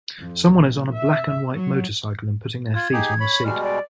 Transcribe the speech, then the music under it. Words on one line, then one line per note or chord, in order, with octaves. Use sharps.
Someone is on a black and white motorcycle and putting their feet on the seat.
F2
A#1
E5
F#3
F4 G#6
D#4 G4 G#4
C#5 B5
B2 G3 G#3 F6
D5